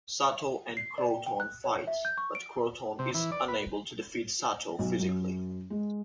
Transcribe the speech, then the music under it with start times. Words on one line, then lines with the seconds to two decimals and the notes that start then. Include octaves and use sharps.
Sato and Kroton fight, but Kroton is unable to defeat Sato physically.
0.77 C7
0.98 D5
1.10 G5
1.26 G5
1.40 F#6
1.64 C#5
1.87 E5
2.05 G6
2.18 C#6
2.35 D7
2.99 C3
3.14 E3
3.32 D5
3.48 B4
4.79 B1
4.99 F#2
5.70 G#3